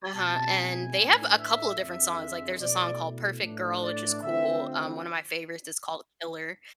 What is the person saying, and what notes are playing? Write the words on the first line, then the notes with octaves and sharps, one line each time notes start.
uh-huh, and they have a couple of different songs, like, there's a song called Perfect Girl, which is cool, um, one of my favorites is called Killer.
B2 G#3 C4 E4 A5
G#5
A2 E3 A3 D4
E5
F2 D3 G#3 E5
B2 A3 E4 D5
A2 E3 A3 D4
D5
D3 F3 A3 C4 E5